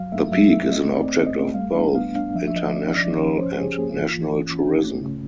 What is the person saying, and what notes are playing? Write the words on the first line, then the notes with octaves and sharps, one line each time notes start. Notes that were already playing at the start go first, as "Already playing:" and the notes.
The peak is an object of both international and national tourism.
Already playing: F#3 F5
A3 E5
F#3 E5
A3 E5
C4 D#5
C4
D5
C4
D#5
A3
G3 F5
D4
B3 F5
D4 F5
F3 E5
E5
F3 D#5
C#4 D5
F3 D5
C#4 C#5
C#4 C5
G4
C#4 G#4
A#3 G#4
E3 F4
E3
C#4
C#4
A3
C#3